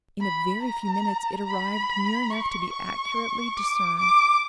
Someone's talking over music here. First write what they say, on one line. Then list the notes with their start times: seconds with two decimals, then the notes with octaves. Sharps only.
In a very few minutes it arrived near enough to be accurately discerned.
0.21 B5
0.63 A#5
1.47 B5
2.30 C#6
2.73 C#6
3.57 D6
3.99 D6